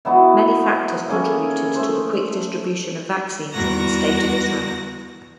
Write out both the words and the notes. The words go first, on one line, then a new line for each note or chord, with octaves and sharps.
Many factors contributed to the quick distribution of vaccines in the state of Israel.
E3 F#3 B3 D#4
A#3 C#4 G#4 A4
A3 C5
E2 G3 F#4 A#5 A#6